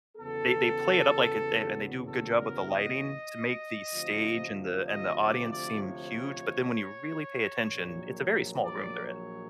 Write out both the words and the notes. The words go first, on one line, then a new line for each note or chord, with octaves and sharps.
they they play it up like it and they do a good job with the lighting to make the stage and the and the audience seem huge, but then when you really pay attention, it's a very small room they're in.
E2 C#3 F#3 B3 A4
A4
A#4
D#5
D2 C3 F3
D#5
D5
D5
C#5
A#1 A#2 F#3
D5
C#5